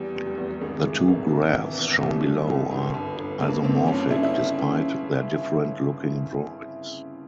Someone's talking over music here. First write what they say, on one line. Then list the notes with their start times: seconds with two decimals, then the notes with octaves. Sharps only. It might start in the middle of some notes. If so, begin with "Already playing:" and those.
The two graphs shown below are isomorphic, despite their different looking drawings.
Already playing: E2 G3
0.15 F1
0.26 G3
0.38 E2
0.52 G3
0.61 G#1 G#3
0.85 E3
1.08 G#1
1.31 E1
1.55 E3
1.78 E2
2.01 C2 G3
2.24 C2
2.47 C2
2.71 G1
2.94 G1
3.17 G1
3.41 G2 A#3
3.64 G1 C4
3.87 G1 C#4
4.10 C#3 E4
4.23 E4
4.28 C#4